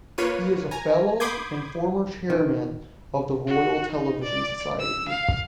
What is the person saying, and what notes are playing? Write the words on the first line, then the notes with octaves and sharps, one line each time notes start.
He is a Fellow and Former Chairman of the Royal Television Society.
A#3 F4 B4 C#5 D#7
G#5 A#5
B5 C6 D6 D#6 G6 G#6
D#3
F#4
D#4
D5
E6
F5